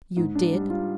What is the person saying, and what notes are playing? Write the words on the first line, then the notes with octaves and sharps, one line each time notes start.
"You did!"
G#2
D4
G3
F4